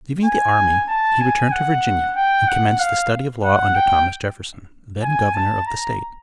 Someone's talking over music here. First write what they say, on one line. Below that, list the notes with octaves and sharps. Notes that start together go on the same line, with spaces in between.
Leaving the army, he returned to Virginia and commenced the study of law under Thomas Jefferson, then Governor of the State.
G#5
A5
G#5
F#5
G5
F#5
F5
F#5
G5
G#5
A5
A#5